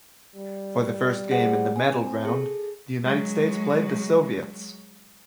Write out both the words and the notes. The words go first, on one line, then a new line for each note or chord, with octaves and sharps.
For the first game in the medal round, the United States played the Soviets.
G3
G#4 C5 F#5
C4 G#5
G#4 A4
F#3 G#3